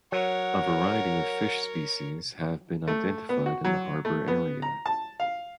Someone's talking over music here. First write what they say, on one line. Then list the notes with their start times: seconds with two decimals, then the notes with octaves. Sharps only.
A variety of fish species have been identified in the harbor area.
0.12 F#3 A#4 C#5 F#5
2.88 A3
3.29 B3
3.46 F#4
3.64 F#3
4.05 A3
4.28 B3
4.62 A#5
4.86 A5
5.20 F5